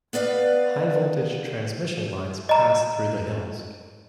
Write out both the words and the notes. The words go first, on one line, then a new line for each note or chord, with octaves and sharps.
High-voltage transmission lines pass through the hills.
B3 B4 D5 F5
D#5 A#5